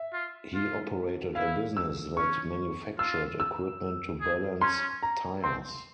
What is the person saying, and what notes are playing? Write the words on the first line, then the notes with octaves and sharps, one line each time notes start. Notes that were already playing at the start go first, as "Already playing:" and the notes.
He operated a business that manufactured equipment to balance tires.
Already playing: E5
F4
F4
E4 F5
E6
C#4 C#6
F4 E6
E6
G#4
C#4 C6
A#5
C4 C6